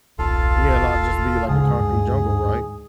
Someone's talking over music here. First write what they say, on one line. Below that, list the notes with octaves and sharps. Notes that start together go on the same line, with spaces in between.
yeah, not just be, like, a concrete jungle, right,
D#1 B1 A#2 F4 A4 F5
G#1
D2 G#2 C#3 G#4
G2